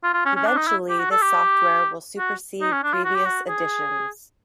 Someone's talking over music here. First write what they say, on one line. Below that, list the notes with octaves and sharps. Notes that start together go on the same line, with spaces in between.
Eventually this software will supersede previous editions.
F4
F4
C#4
C#4
D4
D#4
E4
G4
F#4
A4
G4
F#4
D#4
C#4
D4
F4
F#4
G4
F#4
G#4